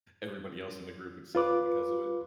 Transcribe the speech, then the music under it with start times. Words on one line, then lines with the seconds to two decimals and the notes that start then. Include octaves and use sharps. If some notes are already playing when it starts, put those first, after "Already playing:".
everybody else in the group would suffer because of it.
1.35 F4 B4 D6